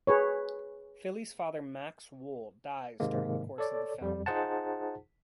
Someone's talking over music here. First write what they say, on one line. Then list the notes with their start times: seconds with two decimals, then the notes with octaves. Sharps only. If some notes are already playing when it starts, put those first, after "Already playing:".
Philly's father, Max Wohl, dies during the course of the film.
0.07 G#4 B4 C#5
3.00 G#2 C3 D#3 G#3 A#3
3.58 A4 C#5 D5
4.01 F2 G3
4.26 D#4 F4 G#4 C5 F#5 A5